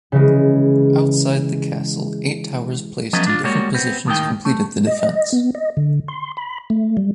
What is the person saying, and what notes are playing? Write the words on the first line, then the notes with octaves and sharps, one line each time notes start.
Outside the castle eight towers placed in different positions completed the defence.
C#3 E3 G#3
F3 F#3 A3 B3 C#4 D#5
D4 F4
G3 G#3 A#3 F#4 C#5
B3 C4
D#2 A2 D#3 F#3 D#4 G5
A3
D#5
B3
D#5
D3
C6
B5
A3
G3